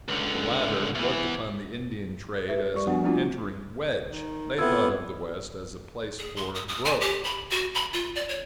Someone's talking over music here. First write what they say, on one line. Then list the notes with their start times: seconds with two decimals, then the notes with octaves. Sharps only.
The latter looked upon the Indian trade as an entering wedge; they thought of the West as a place for growth.
0.08 C#2 D3
0.95 E2 E3
2.49 G4 B4 E5
2.74 G3 G4 A#4 D5 C#6
2.87 F3 B3 D4 F#4 F#5 G#5
3.04 A3 B3 C4 D4 F4 F#4
4.10 D#3
4.58 B3 C4 E4 F4 A4 E6 G#6
6.19 G#4
6.36 C6
6.55 D#6
6.68 D#6
6.85 G#5
7.01 G4
7.24 B5
7.50 F#4
7.75 B5
7.93 F4
8.16 D5
8.29 C#5